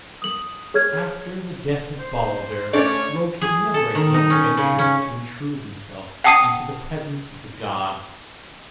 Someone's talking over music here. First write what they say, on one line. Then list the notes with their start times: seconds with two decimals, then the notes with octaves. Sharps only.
After the death of Baldur, Loki never again ventured to intrude himself into the presence of the gods.
0.22 D#6 F#7
0.74 G#4 C#5 F6 G#6
1.99 C5
2.73 A3 C#4 C#5 D5
3.41 G#4
3.74 A4
3.95 D#3
4.14 D#4
4.30 C#4
4.57 C#3
4.79 C#4
6.24 F#5 G5 A5 D#6 C7 D#7